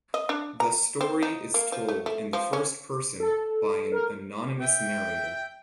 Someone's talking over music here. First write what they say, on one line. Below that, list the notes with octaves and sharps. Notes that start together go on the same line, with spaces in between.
The story is told in the first person by an anonymous narrator.
D#5
D4
A#5
C4
D#4
A#3
F3
A3
A3
F3
C#4
A4
A#4
E5 G5